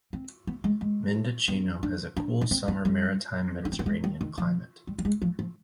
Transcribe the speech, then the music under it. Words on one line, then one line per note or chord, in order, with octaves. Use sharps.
Mendocino has a cool summer Maritime Mediterranean climate.
C4
B3
G#3
G#3
B3
D4
D4
D4
C4
B3
G3
D4
C4
B3
G#3
G3
D#3
F3
G3
G3
G#3
F3
F3